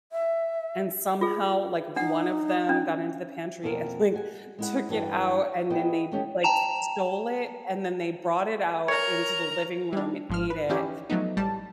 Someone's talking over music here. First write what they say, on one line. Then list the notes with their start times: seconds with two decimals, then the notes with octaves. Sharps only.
and somehow, like, one of them got into the pantry and, like, took it out, and then they b like, stole it, and then they brought it out into the living room and ate it,
0.12 E5
1.21 F4 G#4
1.96 D4 D#4 F#5
2.69 C#4 D4
3.63 F2 B2 A#3 C4 F4 A#4
4.14 F#4 G#5
4.59 G#3 E4 F#5
4.89 G2 E3 D4 F#4
5.70 B3 E4 G#4 B4 D#5 G5
6.12 D3 G#3 C#4 G4
6.43 G5 A5 A#5 E7 F7
8.88 A#4 C#5 A#5
9.93 G3 D4
10.29 G#1 F3 F6
10.50 B4
10.69 E3 C#4 D#4 E4 G4
11.10 F3 F#3 A3 B3 D#4
11.36 A1 G3 A5